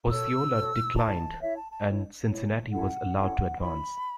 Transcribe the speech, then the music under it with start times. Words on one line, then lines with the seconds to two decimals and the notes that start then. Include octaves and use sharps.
Osceola declined, and Cincinnati was allowed to advance.
0.11 F#4 A4 C#5 E6
0.54 F#4 A4 C#5
0.98 E4 C#5 A5
1.41 E4 C#5 E5
1.56 A5
1.71 A5
1.86 E4 C#5
2.29 E4 C#5
2.73 C#4 E4 A4 F#5
3.17 C#4 E4 A4 F#5
3.60 E4 C#5 B5